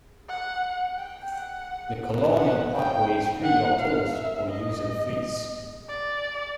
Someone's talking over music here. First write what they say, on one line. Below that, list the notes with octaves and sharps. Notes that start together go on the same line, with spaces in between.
The Colonial Parkway is free of tolls or user fees.
F#5
G5
F#5
F#5
G5
F#5
F5
E5
D#5
D5